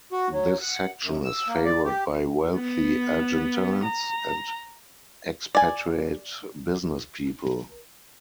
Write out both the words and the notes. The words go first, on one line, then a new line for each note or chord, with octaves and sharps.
This section is favored by wealthy Argentines and expatriate businesspeople.
F#4
F#3
F#5
F#2
E6
A#3
D5
G4
B3
A#5
D5 G#5